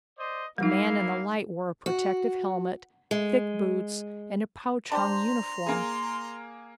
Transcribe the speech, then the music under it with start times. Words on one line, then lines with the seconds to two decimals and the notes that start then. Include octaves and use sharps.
The man in the light wore a protective helmet, thick boots and a pouch-hung uniform.
0.18 C5 D5 D#5
0.58 G3 A#3 D#4 E4 F5
1.86 F#4
3.11 G#3
4.92 D4 G4 C5 A#5 C6
5.66 A#3 G#4